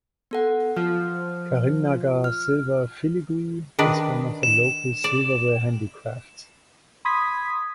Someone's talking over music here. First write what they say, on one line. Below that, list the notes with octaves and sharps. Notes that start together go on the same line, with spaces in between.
Karimnagar Silver Filigree is one of the local silverware handicrafts.
B3 A4 F#5
F3 F6
F6
D#3 D4 B4
E7
D5
B5 C6 D#6 G#6 B6